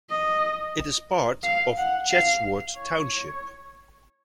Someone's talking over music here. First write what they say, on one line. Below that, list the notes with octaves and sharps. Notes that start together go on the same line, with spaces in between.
It is part of Chatsworth Township.
D#5
F5
F#5
F5
C#5